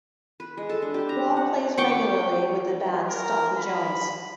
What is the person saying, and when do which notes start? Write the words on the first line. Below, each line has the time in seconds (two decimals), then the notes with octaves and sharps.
Rob plays regularly with the band Stompy Jones.
0.40 B4
0.57 G#3
0.69 A4
0.82 D4
0.94 G4
1.09 A#5
1.37 F#5
1.78 G5 C#6 D6
3.08 A#4
3.57 B5